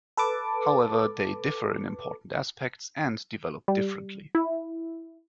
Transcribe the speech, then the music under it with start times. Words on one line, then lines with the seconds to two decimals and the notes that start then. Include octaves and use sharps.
However, they differ in important aspects, and developed differently.
0.17 A4 B4 A5 D6
3.68 G3
4.35 E4